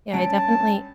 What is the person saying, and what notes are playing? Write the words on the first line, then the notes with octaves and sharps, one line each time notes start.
Yeah, I definitely
G2 C#4 A5 D7